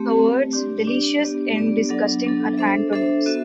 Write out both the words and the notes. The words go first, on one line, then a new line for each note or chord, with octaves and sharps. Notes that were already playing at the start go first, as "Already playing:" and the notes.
The words delicious and disgusting are antonyms.
Already playing: A3 C4 G4
A3 C4 G4
D4 G4 D5
D4 G4 D5
B3 D4 G4 D5
B3 D4 G4 D5
F#3 B3 D4 A4
F#3 B3 D4 A4
D4 A4 C5 E5
D4 A4 C5 E5
B3 F#4 A4 E5